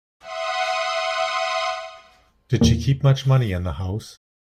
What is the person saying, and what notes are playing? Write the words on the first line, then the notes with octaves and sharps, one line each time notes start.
Did she keep much money in the house?
E5 F#5 C6 D#6
E2 A#2